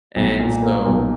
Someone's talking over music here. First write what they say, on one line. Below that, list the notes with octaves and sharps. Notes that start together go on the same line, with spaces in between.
and so
B1
A#2
A#3
B1